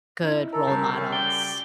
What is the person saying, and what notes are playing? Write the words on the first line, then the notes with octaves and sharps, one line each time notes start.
good role models.
C#4 D#4 E4
A4 A#4
F#2 C#3 G3
C#4
D5 G5 G6